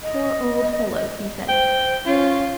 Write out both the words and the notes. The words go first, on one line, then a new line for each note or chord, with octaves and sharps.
"Poor old fellow!" he said.
D#5
C5 G5
C#4 F4